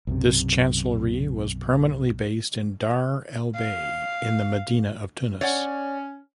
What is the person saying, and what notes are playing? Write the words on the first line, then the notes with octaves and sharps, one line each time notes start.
This chancellery was permanently based in Dar El Bey in the medina of Tunis.
B1 F#2 C3
F5
C#4 C#5 D5 F#5